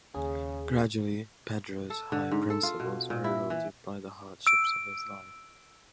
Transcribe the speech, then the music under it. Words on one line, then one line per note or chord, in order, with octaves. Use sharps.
Gradually, Pedro's high principles are eroded by the hardships of his life.
D#2 C#3 G#4
A4
D3
G#2
A4
F4
B2
A#2
E4
E3
E6 D7